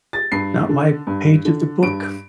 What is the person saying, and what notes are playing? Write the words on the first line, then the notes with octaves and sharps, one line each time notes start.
not my page of the book.
A6
G2 C7
D3
G2
D3
G2 D7